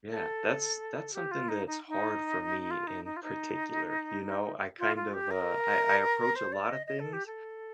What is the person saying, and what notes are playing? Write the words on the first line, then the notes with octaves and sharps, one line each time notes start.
Yeah, that's that's something that's hard for me in particular, you know? I kind of, uh I I approach a lotta things
A4
G4
F4
D#4
D#4
D#4
F4
D#4
D#4
F4
D#4
F4
F4
G4
A#4
C5
D5
D#5
D#5
A4
G4
A4